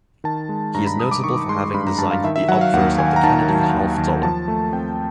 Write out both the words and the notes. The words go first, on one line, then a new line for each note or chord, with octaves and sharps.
He is notable for having designed the obverse of the Kennedy Half Dollar.
D#3 A5
G#3
G2 A#5
B5
G2 D#6
D6
D#3 C#6
G#3 C6
G2 B5
A#5
G2 A5
F5
D#3 E5
E5
F#3 F#5
F5
D#2 F#5
D#2 G#5
A#5
D#3 A5
F#3
D#2
D#2
F3 A5
A3
C4 G5